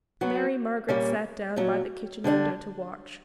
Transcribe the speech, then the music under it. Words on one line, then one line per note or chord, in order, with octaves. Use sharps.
Mary Margaret sat down by the kitchen window to watch.
F#3 B3 F#4
A#2 G3 A#3 C#4
A#2 F#3 C#4
D3 G3 B3 D4